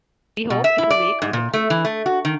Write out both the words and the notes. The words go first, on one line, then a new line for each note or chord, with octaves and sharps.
We hope it will make a difference.
B2
E5
E4
D5
G#2
A#2
A3
E3
A3
F#4
D#3